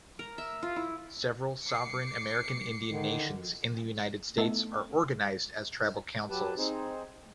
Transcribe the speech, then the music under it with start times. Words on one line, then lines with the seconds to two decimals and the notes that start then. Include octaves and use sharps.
Several sovereign American Indian Nations in the United States are organized as Tribal Councils.
0.19 A#4
0.38 E5
0.63 F4
0.76 E4
1.64 D6 C7 C#7
2.92 D3 D#3
4.38 A3 B3 D#4 E4 A4
6.30 F#3 G4 B4 A5
6.58 C4 D#4 G#4 C5